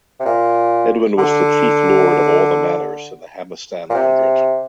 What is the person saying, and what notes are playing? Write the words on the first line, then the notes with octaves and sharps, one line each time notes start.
Edwin was the chief lord of all the manors in the Hamestan Hundred.
C3
A#2
D3
A#2
C3